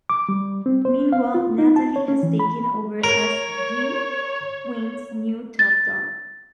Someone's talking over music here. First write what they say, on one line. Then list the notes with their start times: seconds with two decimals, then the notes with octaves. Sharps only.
Meanwhile, Natalie has taken over as G-Wing's new Top Dog.
0.10 D6
0.29 G3
0.66 C4
0.85 C5
1.12 F5
1.34 F4
1.58 D#4
1.76 A5
1.96 C#5
2.08 C#4
2.23 E3
2.40 B5
3.04 A#4 C#5
5.59 A6